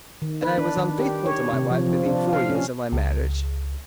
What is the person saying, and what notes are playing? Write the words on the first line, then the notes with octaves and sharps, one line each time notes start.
And I was unfaithful to my wife within four years of my marriage.
D#3
B4
D4
D#3
G4
C#5
C3
F3
F3
D4
F5
C#4
C#2